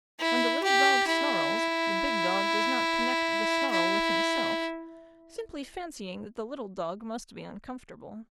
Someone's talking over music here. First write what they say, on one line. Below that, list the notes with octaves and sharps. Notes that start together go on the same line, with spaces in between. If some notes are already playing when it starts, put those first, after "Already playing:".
When the little dog snarls, the big dog does not connect the snarl with himself, simply fancying that the little dog must be uncomfortable.
E4
G4
E4
E4